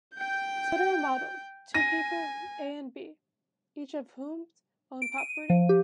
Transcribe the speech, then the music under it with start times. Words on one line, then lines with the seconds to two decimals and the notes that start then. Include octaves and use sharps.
Consider a model: two people, A and B, each of whom owns property.
0.16 G5 G6
1.74 G#5 A#6 D#7
5.02 D7
5.18 D#7
5.50 F3
5.69 G4